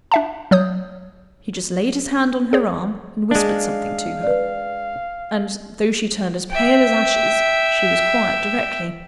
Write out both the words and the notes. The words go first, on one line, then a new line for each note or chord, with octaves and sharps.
He just laid his hand on her arm, and whispered something to her; and, though she turned as pale as ashes, she was quiet directly.
D4 E5 A5
F#3 C#5 D#6 G6
G#4 C#5
G#3 D4 F5
B4 D5
E5 G5